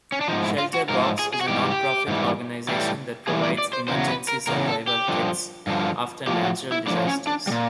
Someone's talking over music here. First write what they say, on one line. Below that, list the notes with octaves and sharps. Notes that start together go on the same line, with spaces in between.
Shelter Box is a non-profit organization that provides emergency survival kits after natural disasters.
C#4
D4
G#2 F3 D#4
E4
F4
F#4
G#2 F3 A#4
A4
G#4
G#4
F#4
G#2 E3 G3 G4
G#2 E3 G3
A2 E3 G3
A2 E3 G3 G#4
D5
D5
C5
E2 C#3 F#3 C5
B4
A#4
E2 C#3 F#3 A#4
A4
G4
G2 D3 F3
G2 D3 F3
A2 F3 G4
F#4
E4
A2 F3 D4
C#4
D4
G3
A#2